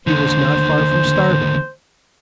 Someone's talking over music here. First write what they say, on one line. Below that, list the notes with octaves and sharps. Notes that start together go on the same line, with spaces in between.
He was not far from starving.
D#2 D3 C5